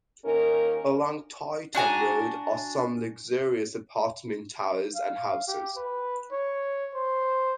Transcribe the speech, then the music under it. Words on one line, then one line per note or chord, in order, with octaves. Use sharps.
Along Tai Tam Road are some luxurious apartment towers and houses.
D#2 C#4 D#4 A#4
D4 F#4 G#5 A#5
F5
G4
B4
C#5
C5